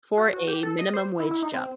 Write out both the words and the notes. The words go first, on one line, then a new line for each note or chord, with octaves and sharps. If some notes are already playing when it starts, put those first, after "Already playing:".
For a minimum wage job.
F#4
F#4
G4
A4
D#5
C5
E4
E4
D#4
C4